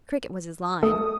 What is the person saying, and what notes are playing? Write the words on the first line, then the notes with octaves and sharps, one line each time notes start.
Cricket was his line.
A3 A4 D#6